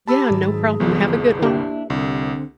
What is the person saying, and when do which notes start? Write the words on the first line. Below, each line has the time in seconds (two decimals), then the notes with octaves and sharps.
Yeah, no problem, have a good one.
0.07 G4 A5 B5 E6
0.30 G#2 D#3 F#3
0.50 G#4
0.80 G1 C2 E3 F3 B3
1.42 A#3 D4 E4 G4 E5
1.90 C2 D3 C4